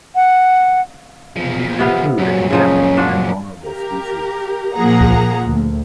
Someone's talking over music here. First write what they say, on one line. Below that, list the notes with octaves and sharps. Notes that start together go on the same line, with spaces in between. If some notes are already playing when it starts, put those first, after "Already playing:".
These include endemic and vulnerable species.
F#5
E2 F3
C3 B3 F5
F#2 A#2 F#3
C#3 F3 C#4 D#4
F3 D4 F#4
G4 A#4
A#2 F3 A#3 G#4 F#5 A#5
D2